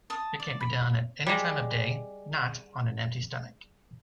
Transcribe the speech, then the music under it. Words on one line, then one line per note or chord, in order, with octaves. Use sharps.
It can be done at any time of day, not on an empty stomach.
A5 D#6
D5
B5
G3 G#3